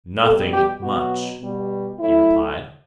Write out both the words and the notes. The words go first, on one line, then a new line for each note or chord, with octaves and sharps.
"Nothing much," he replied.
B2 G3 A4
G4
B2 F#3 F#4
B2 G3
A2 F#3 E4